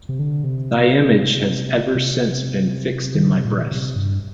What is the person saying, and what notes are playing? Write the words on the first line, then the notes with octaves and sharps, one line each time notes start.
Thy image has ever since been fixed in my breast.
C3
D3
C3
C3
D#3
D3
C3
A#2
C3
G2